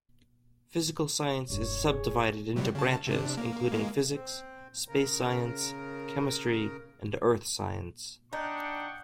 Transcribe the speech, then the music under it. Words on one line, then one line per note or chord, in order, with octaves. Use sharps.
Physical science is subdivided into branches, including physics, space science, chemistry, and Earth science.
E1 G2 C#5
G#4
C3 F#3 G3
C#3 A5
C3 D4
A#3
G#3 A#3
C4
C#3 A#4
D4 D#4 F#5 G5 C#6